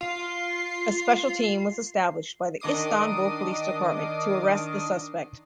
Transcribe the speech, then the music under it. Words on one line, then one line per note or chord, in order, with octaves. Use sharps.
A special team was established by the Istanbul Police Department to arrest the suspect.
F4 C7
D#3 D4 D#5 D6 D#6 C7